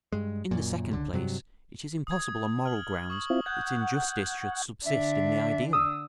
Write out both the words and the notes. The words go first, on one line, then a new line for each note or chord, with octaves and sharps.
In the second place, it is impossible on moral grounds that injustice should subsist in the ideal.
G2 G#3
F#2 A#2
C#2 D3
G2 C3 F#3
D#6 G#6
F6 F#7
C#6 D#6 F#7
C4 E4 F4
F#5 D#6 G6 G#6
D3 D4 E5
D#6 E6